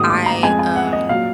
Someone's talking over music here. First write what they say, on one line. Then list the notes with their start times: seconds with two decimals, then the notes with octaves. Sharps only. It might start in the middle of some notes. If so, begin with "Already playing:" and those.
I, um,
Already playing: G#2 D#3 F#3 D#6
0.10 D6
0.26 A#5
0.43 F2 F3 G#3 G#5
0.59 G#5
0.76 F#5
0.93 D#5
1.09 A#2 F#3 F5